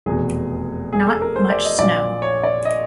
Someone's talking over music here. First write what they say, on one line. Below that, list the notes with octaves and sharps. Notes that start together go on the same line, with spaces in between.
Not much snow.
F1 E2 B2 G#4
G#4
A4
A#4
C5
D5
D#5
A#1 A#2 D5
C#5
D5
D#5